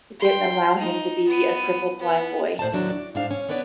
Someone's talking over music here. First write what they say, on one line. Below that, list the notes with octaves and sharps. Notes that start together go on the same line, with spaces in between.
didn't allow him to be a crippled blind boy.
G5 C6
D#4
B3 D#7
B3
A2 C5 D5 A5
D#2 A2 D3 F#3 D4
D5
G#2 D4 F5
C#4
B3 D4 B4 C#5 D5